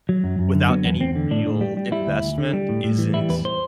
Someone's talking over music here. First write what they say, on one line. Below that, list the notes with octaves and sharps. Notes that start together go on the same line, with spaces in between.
without any real investment isn't,
F#3
F#2
F#2
D3
F#3 B3
E2 B3
E2 C4
D3
A2 D4
A2
G3
G3
G3 E4
D2
D2
D3
G3
A2
A2
E3
G3 E4
E2 B4
C5